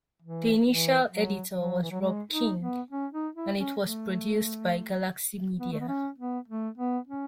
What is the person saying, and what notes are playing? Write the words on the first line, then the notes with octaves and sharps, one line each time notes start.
The initial editor was Rob King and it was produced by Galaxy Media.
E3
E3
F#3
F#3
E3
F#3
G#3
D#4
B3
C#4
D#4
E4
C#4
A3
B3
A3
B3
C#4
B3
A3
B3
C#4